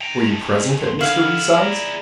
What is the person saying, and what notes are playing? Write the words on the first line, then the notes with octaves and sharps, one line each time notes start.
"Were you present at Mr. Reeside's?"
G5 A#5
D#3 A3
A1 F2 C6
D3 E4 G#4 F5 F#5
D5 G#5 A#5